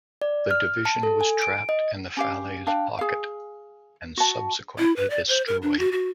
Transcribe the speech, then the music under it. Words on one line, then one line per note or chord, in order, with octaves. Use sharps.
The division was trapped in the Falaise Pocket and subsequently destroyed.
D5
F6
A5
A4
G#5
D7
D#5
C#4 G4 F5
D4 F5 G5
G#4 F5
F#4 A5
E4
B4
D5
C5
A#4
D4
F#4
F#4